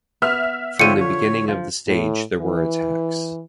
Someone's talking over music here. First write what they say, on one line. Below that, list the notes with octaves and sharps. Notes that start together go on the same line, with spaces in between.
From the beginning of the stage there were attacks.
B3 E5 F6
D3 F3 C4 C#5 G5 C#7 D#7
C#5
F3
A2
E3